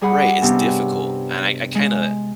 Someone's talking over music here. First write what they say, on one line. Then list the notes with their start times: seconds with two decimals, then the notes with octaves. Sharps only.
Right, it's difficult, and I I kinda
0.01 G3 G#4 F#5 B5
0.42 G2 C3 B3 C#4
1.75 G#3